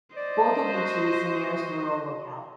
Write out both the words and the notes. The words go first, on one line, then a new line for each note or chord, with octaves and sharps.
Bordovichi is the nearest rural locality.
C5 D5 D#5
F#4